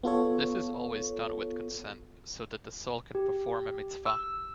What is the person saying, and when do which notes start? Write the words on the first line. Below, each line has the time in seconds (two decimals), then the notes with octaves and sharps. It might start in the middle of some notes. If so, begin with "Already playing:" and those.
This is always done with consent, so that the soul can perform a mitzvah.
0.03 B3 F4 A4 C#5
3.15 G4
4.06 E6